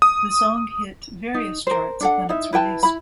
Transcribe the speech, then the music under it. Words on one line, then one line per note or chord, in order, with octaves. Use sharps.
The song hit various charts upon its release.
D#6
D#4
A#4 C5
D4 A4 F#5
D#4 E4 E5
E4 B4 G5 A5
E4 B5